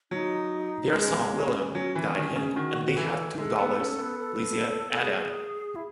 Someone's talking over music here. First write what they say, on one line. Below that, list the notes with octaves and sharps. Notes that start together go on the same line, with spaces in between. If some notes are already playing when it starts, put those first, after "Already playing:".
Their son William died young, and they had two daughters, Louisa and Anna.
F#3 D#4
G#3 D#4
C#4
B3
C#4
F#3 C#4
E3
B3
D#3 C#4
C#3
D#3 F#4
E3 A4
G#3 A4
B3
C#4
B3
A4
G#4
E4